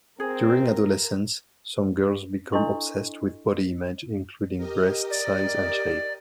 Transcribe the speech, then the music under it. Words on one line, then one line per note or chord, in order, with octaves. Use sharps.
During adolescence, some girls become obsessed with body image including breast size and shape.
C4 G#4 A#4
D4 E4 A4 D#5 C6 C#6
G4 A#4 D#5
D5